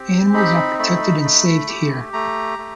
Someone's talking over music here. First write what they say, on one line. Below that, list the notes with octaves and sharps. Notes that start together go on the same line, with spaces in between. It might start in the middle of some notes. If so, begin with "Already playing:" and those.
Animals are "protected and saved" here.
Already playing: C4 G4
D#4 B5
A3 B5
A3
G4
A3 A#5
A3